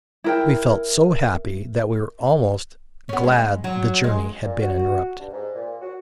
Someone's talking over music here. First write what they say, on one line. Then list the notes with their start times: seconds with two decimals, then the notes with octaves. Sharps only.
We felt so happy that we were almost glad the journey had been interrupted.
0.24 E4 A#4 G5
3.09 B3 C#4
3.23 G#3
3.64 F#3
4.04 G#3
4.43 A#2
4.62 F#4
5.18 G2
5.33 G#2
5.54 A#2
5.80 F#4